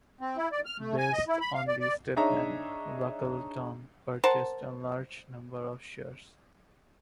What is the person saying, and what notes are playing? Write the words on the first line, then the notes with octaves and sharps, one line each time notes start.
Based on this statement, Buckleton purchased a large number of shares.
C4
E4
D5
F6
A3
G#5
D#5
E4
B5
F5
D5
D5
D4 D#4 G#4 C#5 E5 A#5
A#4 C5 F#5 A5